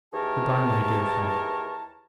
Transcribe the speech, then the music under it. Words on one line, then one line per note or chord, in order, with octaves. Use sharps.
Good-bye, my dear friend.
D#2 E3 G#4 A#4 C#5 A5